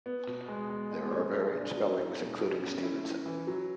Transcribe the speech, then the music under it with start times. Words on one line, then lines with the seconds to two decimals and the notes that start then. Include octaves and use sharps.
There are variant spellings including Stevenson.
0.06 B3
0.27 B2
0.48 G#3
0.70 G#3
0.91 G#3
1.12 B2
1.34 G#3
1.55 D4
1.77 F#3
1.98 E4
2.19 B2
2.41 F#3
2.62 C#4
2.83 E4
3.04 E4
3.26 E3
3.47 F#3